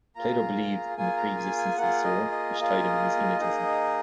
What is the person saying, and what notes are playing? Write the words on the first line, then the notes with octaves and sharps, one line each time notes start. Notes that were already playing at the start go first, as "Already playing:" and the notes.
Plato believed in the pre-existence of the soul, which tied in with his innatism.
A#3 F4 G#4 A#5
A#3 F4 G#4 G#5
A#5
G#5
G#5
A#3 F4 G#4 F#5
D#5
D#5
A#3 F4 G#4
A#3 D#4 G#4